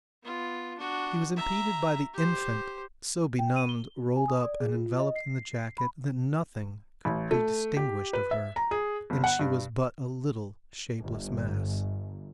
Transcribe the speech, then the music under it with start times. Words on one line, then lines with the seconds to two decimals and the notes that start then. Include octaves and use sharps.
He was impeded by the infant, so benumbed, rolled up and enveloped in the jacket that nothing could be distinguished of her, and she was but a little shapeless mass.
0.23 B3 F4
0.78 D4 F#4
1.37 E5 A#5
2.13 G4 C5
3.39 G5
3.56 D#7
3.69 G7
3.96 F#4
4.16 G#5
4.28 D#6
4.44 D5
4.60 G#4
4.74 F4
4.99 D#5
5.16 C7
5.78 B5
7.05 A1
7.31 A3
7.77 G4
8.13 B4
8.31 E5
8.56 A#5
8.71 G#4
9.10 G1
9.24 F#5
9.39 G2
11.01 G1